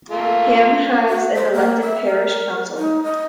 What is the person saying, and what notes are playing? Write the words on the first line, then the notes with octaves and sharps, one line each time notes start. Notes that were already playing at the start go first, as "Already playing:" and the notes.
Ham has an elected parish council.
A3 A#3 F4
F#4
C5
A#3
E5
A#4
D#4
D#5